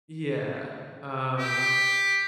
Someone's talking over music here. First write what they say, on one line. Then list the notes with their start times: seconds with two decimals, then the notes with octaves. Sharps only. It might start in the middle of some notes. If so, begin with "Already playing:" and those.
Yeah, um,
1.38 G4